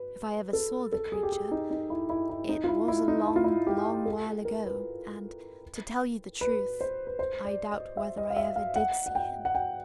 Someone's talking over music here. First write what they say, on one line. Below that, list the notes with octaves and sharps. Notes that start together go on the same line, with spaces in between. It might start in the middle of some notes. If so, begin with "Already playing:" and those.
If I ever saw the creature, it was a long, long while ago; and, to tell you the truth, I doubt whether I ever did see him.
Already playing: B4
A4
A4
G#4
G4
G#4
D#4
D#4
E4
E4
E4
D#4
F4
E4
E4
D#4
E4
F4
E4
G4
A4
A#4
B4
B4
C5
B4
C5
D5
D#5
E5
D#5
F5
E5
F5
F#5
F#5
G5
F#5
G5